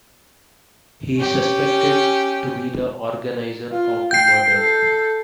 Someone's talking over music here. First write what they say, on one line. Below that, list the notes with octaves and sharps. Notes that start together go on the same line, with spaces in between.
He is suspected to be the organizer of the murder.
C#4 G4
F4
G5 G6 C7
A4